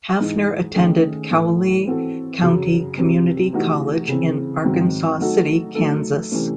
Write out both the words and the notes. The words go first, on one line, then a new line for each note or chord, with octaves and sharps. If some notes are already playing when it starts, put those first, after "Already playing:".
Hafner attended Cowley County Community College in Arkansas City, Kansas.
G#2 E3 G#3 D#4
D#3 A3 C#4 G#4
A2 E3 A3
E3 C4 F#4 A4
F#2 C#3 F#3
C3 F#3 C4
C3 E3 A3 D#4 F#4
C#3 E3 C4
G#2 D#3 F#3 C4
F#3 A3 D#4 F#4 A4
F#3 A3 D#4 A4
C3 E3 A3 C#4